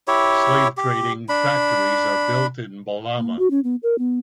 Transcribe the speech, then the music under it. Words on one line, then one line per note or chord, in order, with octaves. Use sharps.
Slave trading factories are built in Bolama.
E4 G4 C#5
G4
D4 B5
A#3
F#4
C#4
B3
A#4
B3